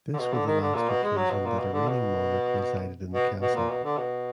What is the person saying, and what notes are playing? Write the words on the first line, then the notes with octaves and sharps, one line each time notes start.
This was the last occasion that a reigning monarch resided in the castle.
D3
B2
D3
D#3
D3
A#2
B2
G#3
F#3
B2
A#2
B2
D3
B2
B2
B2
A#2
B2
D3
B2